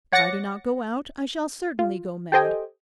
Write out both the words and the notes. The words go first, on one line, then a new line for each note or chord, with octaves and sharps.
If I do not go out, I shall certainly go mad.
C#5 F#5 D6 A6 A#6 C#7
F4
G4 A4 C5 D#5 G5 G#5